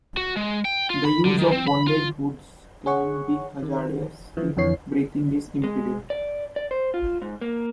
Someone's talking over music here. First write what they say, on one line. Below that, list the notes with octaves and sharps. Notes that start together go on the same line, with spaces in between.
The use of bondage hoods can be hazardous if breathing is impeded.
F#4
G#3
G5
F4
B5
D3
D#3
C4
B5
F4
G#4 C#5 F#5 C#6
D#3
E3 F3
F2 D3 E3 C#5 C7
G#3
D5
D5
C5
F4
G#2
A#3